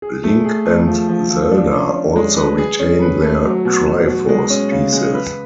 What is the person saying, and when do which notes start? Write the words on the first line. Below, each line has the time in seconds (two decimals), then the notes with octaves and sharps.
Link and Zelda also retain their Triforce pieces.
0.02 G#4
0.24 A3
0.45 G#4
0.66 A3
0.87 F3
1.09 F3
1.30 F3
1.52 D4
1.72 C#4
1.95 C#4
2.16 G#3
2.37 B4
2.58 G#4
2.79 C#4
3.01 B4
3.22 A3
3.44 F#3
3.65 B2
3.86 B2
4.07 B2
4.29 G#3
4.50 C#4
4.72 C#3
4.93 G#3
5.14 B4